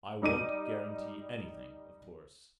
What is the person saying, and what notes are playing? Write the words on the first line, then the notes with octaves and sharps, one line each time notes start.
"I won't guarantee anything, of course...."
G3 D#4 D6 D#7